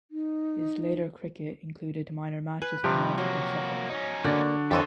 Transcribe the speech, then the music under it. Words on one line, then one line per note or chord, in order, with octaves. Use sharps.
His later cricket included minor matches for Norfolk and Suffolk.
D#4
B4 G#5
G2 C3 F3 G4
F#3 A#3 F#4
C#4 D#4
D3 A#3 D4 F#4 D5
F2 E3 G4 A4 C5 C#5 D#5